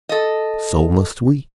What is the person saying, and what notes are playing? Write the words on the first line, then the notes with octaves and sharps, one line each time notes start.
"So must we."
A4 D#5